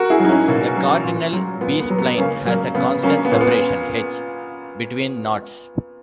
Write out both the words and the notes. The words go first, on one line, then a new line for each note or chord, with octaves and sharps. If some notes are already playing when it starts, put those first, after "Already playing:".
A cardinal B-spline has a constant separation, "h", between knots.
Already playing: F#4 A#4
E4 G#4
F#3 D#4
C#4 E4
B2 A#3 C#4
F#3
A#2
F#3
A#2 B3
B3
F#3
B3
C#3 A#3 C#4
F#3 A#3
C#3 B3
F#3 A#3 C#4
B3
A#2 A#3 C#4
B3